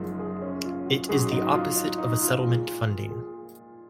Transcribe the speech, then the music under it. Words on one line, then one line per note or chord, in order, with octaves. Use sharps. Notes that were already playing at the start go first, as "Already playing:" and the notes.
It is the opposite of a settlement funding.
Already playing: F#1 F#2 F3 G#3 D#4
G#4
C#4
F4
F#4
G#2 F#3 C#4 F#4 G#4
D#4
F4
D#4
D#4
F4
A#2 F3 G#3
G#4